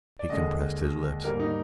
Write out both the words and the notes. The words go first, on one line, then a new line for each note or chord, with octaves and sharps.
He compressed his lips.
D5
D#2 D3 G#3 D#5
G#2 G3 A#3 A#4
D#4